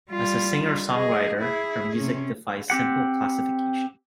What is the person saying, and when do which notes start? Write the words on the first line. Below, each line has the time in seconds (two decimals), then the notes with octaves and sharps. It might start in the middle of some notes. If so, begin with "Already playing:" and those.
As a singer-songwriter, her music defies simple classification.
0.11 G3 F4
0.89 G#4 D#5
1.38 E4 G#4
1.97 C3 C#4
2.70 C4 G4 F#5